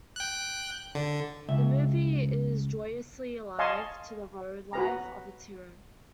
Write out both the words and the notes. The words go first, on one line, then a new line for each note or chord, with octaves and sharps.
The movie is joyously alive to the road life of its hero.
G5 F#6
D3
C#2 E5
D#5 F5 G#5 A5 C6 C#6
F#4 B4 A#5